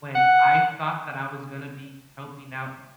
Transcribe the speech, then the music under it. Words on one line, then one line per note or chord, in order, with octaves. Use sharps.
when I thought that I was gonna be helping out,
F#5